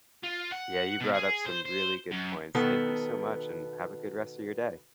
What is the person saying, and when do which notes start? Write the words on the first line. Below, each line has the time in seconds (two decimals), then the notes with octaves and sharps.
Yeah, you brought up some really good points. Thank you so much, and have a good rest of your day.
0.23 F4
0.51 F#5
1.00 B2
1.14 G#4
1.46 C5
1.65 C5
2.11 F#2
2.55 B2 D#3 B3 A4